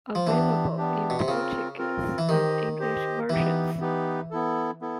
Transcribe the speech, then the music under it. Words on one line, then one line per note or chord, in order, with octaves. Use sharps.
Available in Portuguese and English versions.
F3
E3 B3 D4 G4
B3 D4 G4
B2
C3
C#3 C4 F4 A#4
C4 F4 A#4
E3
D#3 G4 C5 D#5
G4 C5 D#5
E3 B3 D#4 G4 B4
B3 D#4 G4 B4
B3 E4 A4
B3 E4 A4